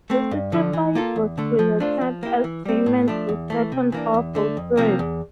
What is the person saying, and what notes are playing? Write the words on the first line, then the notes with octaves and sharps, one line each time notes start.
The sacrifice was presented as payment to certain powerful spirits.
A3 C4
G2
D3 F3
E3
A#3 F4 A4
E2
D3 A3
F3
A3 D4 F4 C5
F3
A#3 E4 G4
E3
G3 C4
A2
F3 A3 D4
E2
E3 A3
C3
E3 A#3 D4
E2
D3 A3
F2
C3 F3 A#3
E2